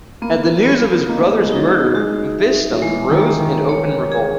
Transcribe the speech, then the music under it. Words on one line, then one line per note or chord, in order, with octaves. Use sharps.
At the news of his brother's murder, Vistahm rose in open revolt.
A#3 B3
B3
A#3 D#5
G#3
F#3 D#4
G#3 F#4
E5
F#3
E3 G#3
D#3
G#3
D#3
C#5
G#4